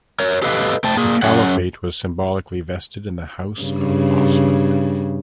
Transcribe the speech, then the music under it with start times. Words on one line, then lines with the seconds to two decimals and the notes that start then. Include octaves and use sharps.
The caliphate was symbolically vested in the House of Osman.
0.20 A#4 C#5
0.42 G4 A4 B4 D#5 F5
0.84 A3 C5 G5 A5
0.97 A#3 G#4
1.22 F#2 C#4 G#4 F#5
3.61 G2 C#3